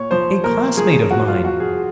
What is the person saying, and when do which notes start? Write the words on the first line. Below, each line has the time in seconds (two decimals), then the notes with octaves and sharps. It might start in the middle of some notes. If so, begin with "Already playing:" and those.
"A classmate of mine."
Already playing: A#2 C#5
0.11 F3 C5
0.44 A#2 A#4
0.77 F3 G#4
1.10 F3 F#4
1.27 F4
1.44 F3 F#4
1.60 G#4